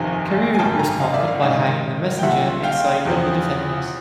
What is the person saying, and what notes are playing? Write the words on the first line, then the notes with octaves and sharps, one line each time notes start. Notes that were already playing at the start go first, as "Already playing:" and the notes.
Carew responded by hanging the messenger in sight of the defenders.
Already playing: G1 F2 C3 D#3 G#5
G#5
G#1 F#2 C#3 G5 A5
G#5 A#5
D#5 F5
D5 E5
F5
F#5
G#1 G#2 D#3 D#5 F5
G5
B1 A#2 G3 E5 F#5
F5 G5
E2 C3 F3